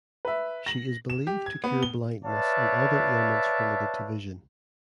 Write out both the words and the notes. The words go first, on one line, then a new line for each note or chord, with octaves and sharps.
She is believed to cure blindness and other ailments related to vision.
B4 E5
A#6 F#7
E7
G4
G#6
B3
G7
B4 C#5 D5 E5 F5 A5